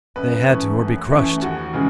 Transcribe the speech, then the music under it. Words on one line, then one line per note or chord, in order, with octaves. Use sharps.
They had to, or be crushed!
F#2 B4
E3 A3 C#4
F#2
E3 A3 C#4
D#2 F#4
C#3 E3 G#3